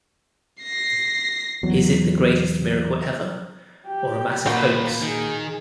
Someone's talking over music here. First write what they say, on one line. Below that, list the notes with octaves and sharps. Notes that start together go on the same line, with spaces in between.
Is it the greatest miracle ever or a massive hoax?
A#6 C7
E2 F#3
G4 G5
D#2 A#2 A#3 F4 F#4 B4 G5
D#3 G#4